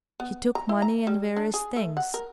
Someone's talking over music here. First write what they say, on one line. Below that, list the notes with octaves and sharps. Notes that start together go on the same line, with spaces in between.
He took money and various things....
B3
A#5
E4
A#5
G3
D4
G#4
A3
F#5
A#4